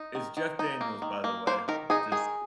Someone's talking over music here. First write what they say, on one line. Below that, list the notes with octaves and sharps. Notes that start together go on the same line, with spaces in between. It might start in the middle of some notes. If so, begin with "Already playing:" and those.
it's Jeff Daniels, by the way. Just,
Already playing: D#4
D#3
D#3
D#4
A#3
D#3
A#3
A#3 C5
D#3 A#4
D#4 G#4
D#3 G#4